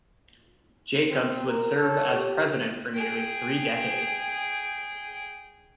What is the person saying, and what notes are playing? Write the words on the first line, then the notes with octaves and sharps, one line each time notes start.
Jacobs would serve as president for nearly three decades.
C4
A#4
A4 C#5
G4
G#4 G5